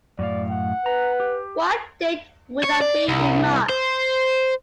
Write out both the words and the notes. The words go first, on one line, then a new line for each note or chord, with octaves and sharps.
What date would that be in March?
F#2 A2 D5 F5
F#5
B4 A#5
G4
C#5
D5
C2
C5